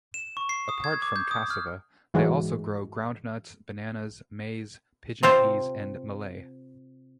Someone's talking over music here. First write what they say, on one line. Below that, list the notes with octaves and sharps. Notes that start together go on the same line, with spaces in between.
Apart from cassava they also grow groundnuts, bananas, maize, pigeon peas and millet.
E7
C#6
C7
D#6
G#6
D6
G6
D#6
F6
G#2 E3 F#3 G#3
C3 C4 F4 C5